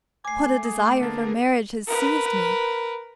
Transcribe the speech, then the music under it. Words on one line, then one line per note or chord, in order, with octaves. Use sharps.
What a desire for marriage has seized me!
A3 G#5 D6 C7
G#4
D3 A#3 B3 G#4 A#4 A5
A#4 B4